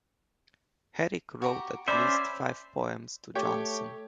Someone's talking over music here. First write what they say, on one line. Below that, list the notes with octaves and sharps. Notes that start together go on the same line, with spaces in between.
Herrick wrote at least five poems to Jonson.
F#4 G4 A#5
C#4 C5 D5 E5 B5
A3 G4 C#5 G5